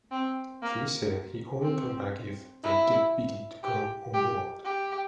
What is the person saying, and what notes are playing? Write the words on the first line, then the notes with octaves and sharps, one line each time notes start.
He said he'd only come back if they'd get Vikki to come on board.
C4
A#3
C4
E4
G4
G4
G4